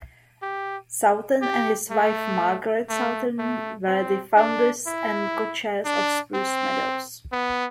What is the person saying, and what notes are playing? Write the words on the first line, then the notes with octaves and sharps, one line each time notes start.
Southern and his wife Margaret Southern were the founders and co-chairs of Spruce Meadows.
G4
G4
A3
A3
A3
C4
D4
E4
D4
C4
B3